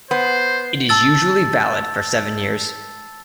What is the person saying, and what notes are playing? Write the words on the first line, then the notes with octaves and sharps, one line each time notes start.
It is usually valid for seven years.
B3 C5
A5 E6 A6